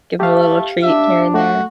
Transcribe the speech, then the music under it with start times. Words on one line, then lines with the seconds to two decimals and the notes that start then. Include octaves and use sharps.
Give him a little treat here and there.
0.20 A3 G4 F5
0.82 D4 E5
1.34 A3 F#4